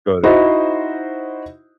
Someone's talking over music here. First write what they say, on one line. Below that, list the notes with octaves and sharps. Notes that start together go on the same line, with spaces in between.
Go there.
D#4 E4 F#4 C5 D#5